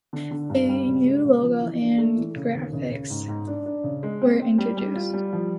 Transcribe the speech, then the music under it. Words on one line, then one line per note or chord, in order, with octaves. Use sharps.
A new logo and graphics were introduced.
D3
D3
G2
G3
C#3
G#3
C#3
F3
E3
D4
A3
E3
C#3
D#2
C#3
C#3
G#2
G#2
D4
D4
C#3
G#3
C4
C4
G3
G3
F4
G3
F3